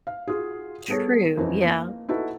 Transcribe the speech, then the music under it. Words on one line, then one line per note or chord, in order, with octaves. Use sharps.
True, yeah.
F5
F4 F#4 G#4
G3 B3 G#4 A4 C#5
F2 E3 C#4 D#4
A#3
D#4 E4 F#4 A4 B4